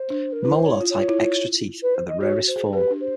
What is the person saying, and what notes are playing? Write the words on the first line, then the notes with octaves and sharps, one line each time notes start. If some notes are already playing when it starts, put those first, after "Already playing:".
Molar-type extra teeth are the rarest form.
Already playing: C5
D4
A#4
E4 B4
C5
C#5
F4
C#5
F4
E4
F4
B4
C5
D#5
F#4 C#5
C5
G#4
G4 B4
D4
C5